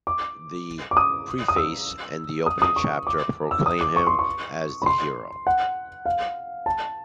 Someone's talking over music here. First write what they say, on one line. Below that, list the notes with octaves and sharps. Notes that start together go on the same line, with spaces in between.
The preface and the opening chapter proclaim him as the hero.
D6
D6
D#6
D#6
E6
D#6
D#6
C#6
D6
E6
D#6
D6
C#6
C6
C#6
B5
C6
F#5
F5
A5